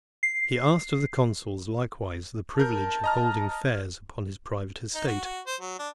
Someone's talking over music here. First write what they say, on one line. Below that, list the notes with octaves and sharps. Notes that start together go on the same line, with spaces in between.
He asked of the consuls likewise the privilege of holding fairs upon his private estate.
C7
A#4 A5 G6
D#5 A#5 F6
D#4
F#4
F#4
C5
F#3
D4